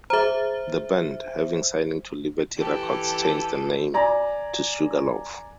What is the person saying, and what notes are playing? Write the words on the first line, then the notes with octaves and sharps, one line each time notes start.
The band, having signing to Liberty Records, changed the name to Sugarloaf.
G#4 C5 E5 A#5
E3 G4 A4
D5 G#5 A#5